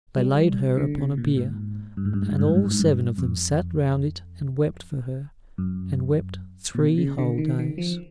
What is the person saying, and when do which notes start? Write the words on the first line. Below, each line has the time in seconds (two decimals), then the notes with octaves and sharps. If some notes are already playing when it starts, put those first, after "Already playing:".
They laid her upon a bier, and all seven of them sat round it and wept for her, and wept three whole days.
0.17 G3
0.77 D3
0.98 C3
1.18 A#2
1.37 G#2
1.97 G2
2.05 G#2
2.13 G2
2.22 G#2
2.31 G2
2.39 G#2
2.47 G2
2.55 G#2
2.64 G2
2.71 G#2
2.79 G2
3.18 F2
5.58 F#2
6.75 A#2
6.79 B2
6.98 C#3
7.18 D3
7.38 D#3
7.59 D#3
7.78 F3